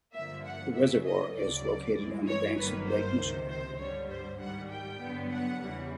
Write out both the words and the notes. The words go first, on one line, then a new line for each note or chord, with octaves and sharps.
The reservoir is located on the banks of Lake Michigan.
G2 D3 F3 A#3 E5
F#5
F#2 C#3 F#3 E5
D#5
D2 C#3 F#3 D5
G2 E3 G#3
C#5
G1 G2 D#3 F#3 A#3 B4
C5
C#2 C3 D#3
C5
G2 D3 G3 C#5
C5
G#2 D#3 G3 F#5
G5
G2 D3 F#3 B3 D4
F#5
E2 C#3 E3 G3